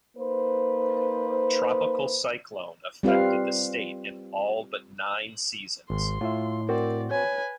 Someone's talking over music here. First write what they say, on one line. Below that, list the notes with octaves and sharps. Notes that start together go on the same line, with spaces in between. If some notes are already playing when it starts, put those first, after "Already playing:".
Tropical cyclone affected the state in all but nine seasons.
A#3 D#4 B4 C5
G3 C4 F4 B4 F5
G#1 C6
A2 F4 E5
C4 F#4 A#4 C5 D5
B4 C#5 G#5